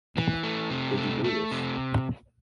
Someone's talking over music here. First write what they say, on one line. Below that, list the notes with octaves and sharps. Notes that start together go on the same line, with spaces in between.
Did you do this?
E3
A3
C3
A3
A3
C3